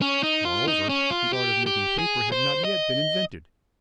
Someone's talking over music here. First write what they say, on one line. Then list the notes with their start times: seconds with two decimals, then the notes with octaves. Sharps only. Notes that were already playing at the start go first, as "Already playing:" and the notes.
Moreover, the art of making paper had not yet been invented.
0.01 C#4
0.23 D#4
0.45 F4
0.67 D#4
0.89 C#4
1.11 F4
1.33 G4
1.66 G4
1.98 G#4
2.32 C5
2.64 D#5